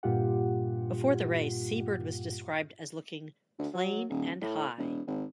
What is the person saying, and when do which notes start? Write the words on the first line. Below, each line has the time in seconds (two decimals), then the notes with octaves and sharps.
Before the race, Sea-Bird was described as looking "plain and high".
0.03 G2 A#2 F4 G4 F#5
3.59 D2
3.74 F#3
4.10 D#1
4.42 A2
4.78 E1
5.07 G#1